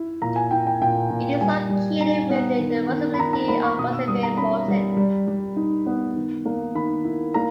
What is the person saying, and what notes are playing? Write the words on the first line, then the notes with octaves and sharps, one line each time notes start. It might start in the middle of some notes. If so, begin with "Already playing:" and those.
It is located within the Municipality of Boissevain - Morton.
Already playing: E4
A#2 A#5
G#5
E4 G5
G5
A#2 G5
A#2
G3 G#5
G3
D#4 A#5
B3
D#3
D#3
B5
D#3 A#5
A#5
A#3 B5
C#6
B2 D#6
E6
G3 D#6
A#5
C#4 B5
G3
G3
G3
D#4
B3
D#3
A#3
D#3 B5
E4
A#3 A#5